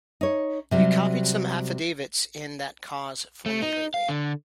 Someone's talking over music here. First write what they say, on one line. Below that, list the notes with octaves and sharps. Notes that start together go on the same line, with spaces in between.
You copied some affidavits in that cause for me lately.
D#4 C#5
C3 F#3 G3
A3
D#4
F5
D3